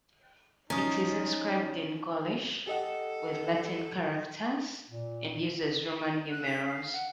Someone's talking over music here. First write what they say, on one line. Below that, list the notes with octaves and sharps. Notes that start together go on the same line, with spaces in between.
It is inscribed in Gaulish with Latin characters and uses Roman numerals.
F3 C#4 D#4 F4 A#5 D#6
G4 A4 D#5 F#5
A#2
F#6
B6
F5
F#5